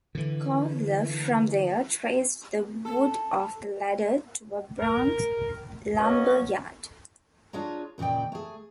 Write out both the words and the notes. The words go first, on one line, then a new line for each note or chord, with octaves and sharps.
Koehler, from there, traced the wood of the ladder to a Bronx lumber yard.
D3 E3
A4
A#4
F#3 A#3 B3 C#4 D#5
D4 F4 G#4 C#5 A#5
D#2 A#2 C#3 D5 G5
A3 G#4